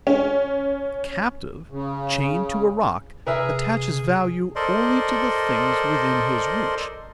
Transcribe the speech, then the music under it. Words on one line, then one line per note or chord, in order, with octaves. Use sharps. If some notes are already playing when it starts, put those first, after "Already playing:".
A captive, chained to a rock, attaches value only to the things within his reach.
C#4
C#3
C3 G#4 A#4 B4 E5
A4 A#4 C5 D5 D#5 C6